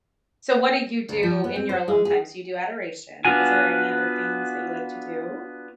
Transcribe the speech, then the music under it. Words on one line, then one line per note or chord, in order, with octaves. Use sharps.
So what do you do in your alone time? So you do adoration. Is there any other things that you like to do?
D2
F3
B3
C4
C5
G#3
G#4
B3 D4 F4 F#4 G#5